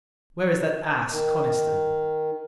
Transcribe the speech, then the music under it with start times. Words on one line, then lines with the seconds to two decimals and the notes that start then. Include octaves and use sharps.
Where is that ass, Coniston?
1.11 D#3